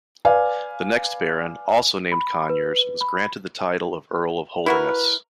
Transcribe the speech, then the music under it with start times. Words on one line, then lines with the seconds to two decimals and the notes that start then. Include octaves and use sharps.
The next baron, also named Conyers, was granted the title of Earl of Holderness.
0.25 B4 D5 F5 G#5
2.12 B5
2.50 B4
3.01 B5
4.66 E4 F#4 A#4 B4